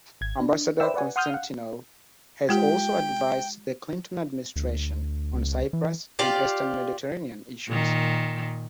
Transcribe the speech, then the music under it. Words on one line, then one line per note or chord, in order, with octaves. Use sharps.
Ambassador Constantinou has also advised the Clinton Administration on Cyprus and Eastern Mediterranean issues.
G#1 G#6
D4
B4 C5 D5 E5 G5 E6
B4 D5 F#5 G#5
F#5 C6 D#6 F6 G6
F5 F#5
G#3 F4 G4 G5
D2
C#2
E3
F4 G4 D5 F5
A#2 D#3